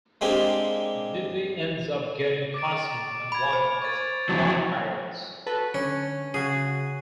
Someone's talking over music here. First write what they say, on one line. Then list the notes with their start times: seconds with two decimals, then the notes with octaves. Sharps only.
Bippy ends up getting Cosmo and Wanda as godparents.
0.21 G#3 A#3 C4 D4 G4 G#5
2.54 D6 A6 D7
3.32 B5 G#6 D7 F7
3.53 C5
3.82 C#6 A6
4.29 F2 E3 F#3
5.46 F#4 A4 B4
5.74 D3 C#4
6.34 C#3 F#4 G#4